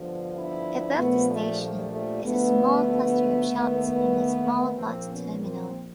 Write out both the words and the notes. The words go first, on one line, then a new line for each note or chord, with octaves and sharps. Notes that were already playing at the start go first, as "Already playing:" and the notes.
Above the station is a small cluster of shops and a small bus terminal.
Already playing: G1 G2 D3 F3
D4 E4
A#1 A#2 F3 A3 B3
G3 A3
G3 A3
G3 A3
D2 D3 F3 A3 B3
D#2 D#3
A#1 A#2 F3 A#3 C4
B3 C#4
A#3 C4